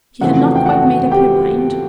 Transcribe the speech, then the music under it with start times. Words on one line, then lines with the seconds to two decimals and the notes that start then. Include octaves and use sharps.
She had not quite made up her mind.
0.21 F2 C#3 E3 A3 C4 F#4 F#5
0.55 G5
0.66 F#4 F#5
1.11 G4 G5